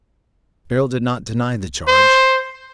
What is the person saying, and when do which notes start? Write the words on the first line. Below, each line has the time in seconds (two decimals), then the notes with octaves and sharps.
Beryl did not deny the charge.
1.88 C5